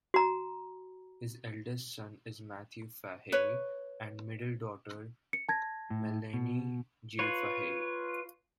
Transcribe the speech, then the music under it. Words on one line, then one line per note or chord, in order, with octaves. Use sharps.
His eldest son is Matthew Fahey and middle daughter Melanie J Fahey.
F#4 A#5
B4 C#5
C#7
A5 G#6 A#6
A2
B2
F4 B4 C#5